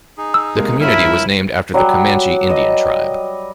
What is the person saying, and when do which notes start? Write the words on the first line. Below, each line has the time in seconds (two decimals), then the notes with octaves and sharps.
The community was named after the Comanche Indian tribe.
0.17 D#4 G#4
0.34 E6
0.55 C3 G#3 A#3
0.80 G1 E4 F4 A#4 E5
1.74 F#3 G3
2.50 D#5